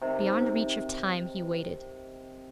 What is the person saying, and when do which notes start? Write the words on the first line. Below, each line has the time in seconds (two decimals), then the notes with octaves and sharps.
Beyond reach of time he waited.
0.02 C3 D#3